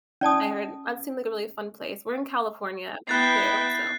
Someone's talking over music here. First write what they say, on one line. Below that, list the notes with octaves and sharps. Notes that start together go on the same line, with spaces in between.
I heard that seemed like a really fun place. We're in California too, so
C#4 D5 A5 D#6
B3 E4 G5 F#6 A6 C7